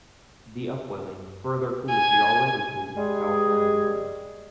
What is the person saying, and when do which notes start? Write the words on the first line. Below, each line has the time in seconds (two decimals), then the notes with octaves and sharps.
The upwelling further cools the already cool California Current.
1.89 G#5
2.95 G3 G#3 G#4